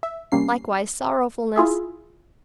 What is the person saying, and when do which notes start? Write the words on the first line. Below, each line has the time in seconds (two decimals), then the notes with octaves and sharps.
Likewise sorrowfulness!
0.03 E5
0.32 C3 G3 A#3 C#4 C7
1.56 E4 F4 G#4 E5